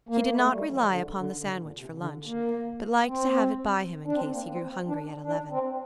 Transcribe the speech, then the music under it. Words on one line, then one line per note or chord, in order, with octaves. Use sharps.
He did not rely upon the sandwich for lunch, but liked to have it by him in case he grew hungry at eleven.
A#3
A3
G3
F3
D3
D3
D3
A#2
C3
D3
A#3
C4
D4
C4
A#3
C4
D4
D4
C4